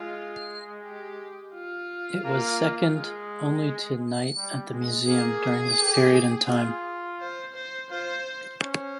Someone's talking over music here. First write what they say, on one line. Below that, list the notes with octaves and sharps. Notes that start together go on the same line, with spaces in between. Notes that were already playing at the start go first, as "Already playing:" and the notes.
It was second only to "Night at the Museum" during this period in time.
Already playing: G#3 F4
G4
F4
A#3
G#3
G3
G#3
A#3 G#4
G4
F4
C5
C5
F4 C5
C#4 C5